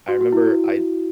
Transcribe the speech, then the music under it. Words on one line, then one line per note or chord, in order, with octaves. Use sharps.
I remember I
F#4
F#4
E4